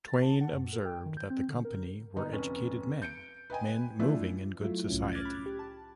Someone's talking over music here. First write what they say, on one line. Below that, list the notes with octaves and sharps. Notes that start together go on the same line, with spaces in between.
Twain observed that the company were educated men, men moving in good society...
A6
A5
F#5
F#2
A4
G5
D#3
G6
C4
D3
A#4
G1 B3 D#4
F1 C#4
G6 C#7 D7
B4 D#5 G5 G#5
F3 A3 B3 D4 E4 F4
F#3 A3 E4 F4
C2 A2 C#4
D6 F6 F#6 G#6 A6
B5
G4
A5